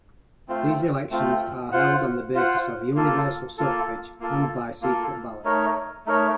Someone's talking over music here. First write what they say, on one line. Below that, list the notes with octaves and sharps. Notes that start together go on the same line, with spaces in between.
These elections are held on the basis of universal suffrage, and by secret ballot.
A3 C4 F4 C5
A3 C4 F4 C5
F4 C5 F#5
F4 C5 F#5
A#3 F4 A4
A#3 F4 A4
A#3 F4 A4
A#3 F4 A4
A3 D#4 A#4 C#5
A3 D#4 A#4 C#5